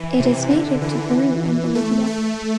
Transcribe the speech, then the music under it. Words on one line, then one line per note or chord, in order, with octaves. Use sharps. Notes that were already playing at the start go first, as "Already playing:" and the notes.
It is native to Peru and Bolivia.
Already playing: E3
C3
D3
E3
A3
A3